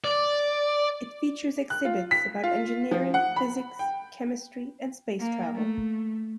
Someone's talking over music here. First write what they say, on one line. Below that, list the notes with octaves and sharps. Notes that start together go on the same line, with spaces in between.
It features exhibits about engineering, physics, chemistry, and space travel.
D5
F#6
F4
B6
F4
F3
F#5
B5
G5
A#3
A3